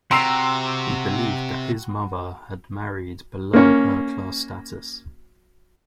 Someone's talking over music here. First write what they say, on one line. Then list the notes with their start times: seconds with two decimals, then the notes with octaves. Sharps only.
He believed that his mother had married below her class status.
0.11 C3 F#4 G5 A#5 C6 E6 C7
3.53 A#3 C#4